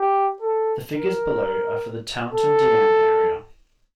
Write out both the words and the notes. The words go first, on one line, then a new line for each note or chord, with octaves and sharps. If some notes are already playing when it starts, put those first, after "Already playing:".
The figures below are for the Taunton Deane area.
Already playing: G4
A4
A#4
A4